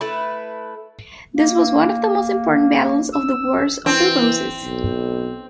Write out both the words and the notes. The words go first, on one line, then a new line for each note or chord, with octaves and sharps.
This was one of the most important battles of the Wars of the Roses.
A3 E4 B4
A#3
E6
E3 C4
B1